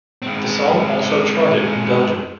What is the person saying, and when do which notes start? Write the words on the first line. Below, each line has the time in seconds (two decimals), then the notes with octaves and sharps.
The song also charted in Belgium.
0.22 G#3 C4